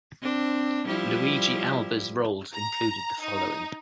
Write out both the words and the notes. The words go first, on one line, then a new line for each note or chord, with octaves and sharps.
Luigi Alva's roles included the following.
C4 D4
F3 G3 E4
A#5
D#4